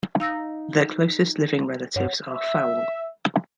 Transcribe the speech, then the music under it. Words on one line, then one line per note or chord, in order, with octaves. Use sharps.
Their closest living relatives are fowl.
D#4 F5 E6 A#6
G2 C#5 F#5
E5